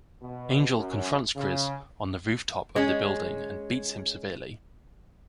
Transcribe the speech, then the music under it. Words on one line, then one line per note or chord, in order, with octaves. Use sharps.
Angel confronts Gris on the rooftop of the building and beats him severely.
B2
F#2
C#3
G#3 C#4